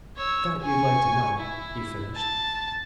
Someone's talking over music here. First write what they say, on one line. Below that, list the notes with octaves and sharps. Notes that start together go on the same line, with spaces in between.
"Thought you'd like to know," he finished.
C#5 E6
G#5 C#6
E4
A5